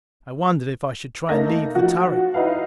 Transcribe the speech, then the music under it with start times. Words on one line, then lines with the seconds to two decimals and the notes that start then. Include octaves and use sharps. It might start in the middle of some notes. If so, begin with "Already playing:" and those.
I wondered if I should try and leave the turret.
1.29 A3 A#3 D#4 A4 A#6
1.75 F3 F#4
2.34 D#4 E4 B4 F5